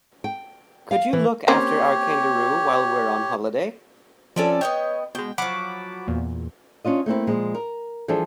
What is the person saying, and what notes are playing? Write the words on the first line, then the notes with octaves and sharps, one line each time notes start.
Could you look after our kangaroo while we're on holiday?
G5
F5
E3
A#3 C4 C#4 G4 C#5
F3 C4 C#4 A4 D5 E5
B3 C#5 D#5 G5
B2 G#3 G5
F3 F#3 F#5 B5 D6
E2 A#2
C#4 D4 F4 D#5
A3 A#3 C4 E4
A#2 F3 G#3
A#4
E3 F3 G3 D4 G#4 A4